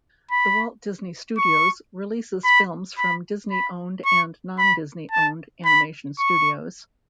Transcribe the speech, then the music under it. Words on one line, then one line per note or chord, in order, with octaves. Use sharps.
The Walt Disney Studios releases films from Disney-owned and non-Disney owned animation studios.
B5
C#6
B5
B5
B5
C#6
B5
A5
B5
C#6